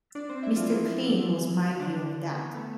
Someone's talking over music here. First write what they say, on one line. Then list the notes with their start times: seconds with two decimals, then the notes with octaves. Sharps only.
'Mr Clean' was my view of that.
0.15 D4 D5
0.29 C4 C5
0.42 E4 E5
0.56 F3 F4
0.70 E3 E4
1.80 D3 D4
2.36 B3
2.54 A3